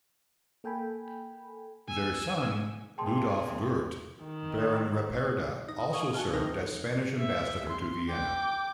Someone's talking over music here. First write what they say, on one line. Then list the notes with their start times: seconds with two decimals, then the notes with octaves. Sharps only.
Their son, Ludolph Luirdt, Baron Ripperda also served as Spanish ambassador to Vienna.
0.64 A#3 A4 G5 G#5 B5
1.88 G#5 E6
2.98 C3 A#3 G#4 G5 A5 C6
4.24 D#3
5.69 D#4
5.92 D#5 F5 G#5 C#6 D#6
6.14 F#4 G#5 A5 F6
6.33 F2 C3 E3 D#4 A#4 F6
7.19 E5
7.69 C6
8.10 G5 D6